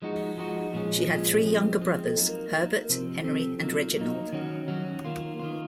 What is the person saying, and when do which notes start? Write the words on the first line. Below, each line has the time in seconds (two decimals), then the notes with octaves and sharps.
She had three younger brothers, Herbert, Henry and Reginald.
0.02 F3 G#3 D#4 F#4
0.37 F3 G#3 D#4 F#4
0.73 A#2 F3 G#3 C#4
1.10 A#2 F3 G#3 C#4
1.45 F3 G#3 C4
1.81 F3 G#3 C4
2.17 F#3 A#3 D#4
2.53 F#3 A#3 D#4
2.89 C3 F3 C4
3.24 C3 F3 C4
3.61 F#3 A#3 D#4
3.96 F#3 A#3 D#4
4.33 D#3 F#3 C#4 F#4
4.68 D#3 F#3 C#4 F#4
5.05 D#3 A#3 F4
5.40 D#3 A#3 F4